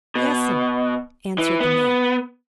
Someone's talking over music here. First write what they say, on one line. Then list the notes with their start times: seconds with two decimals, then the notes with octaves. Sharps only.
"Yes'm," answered the maid.
0.16 B2
1.38 E3
1.60 B3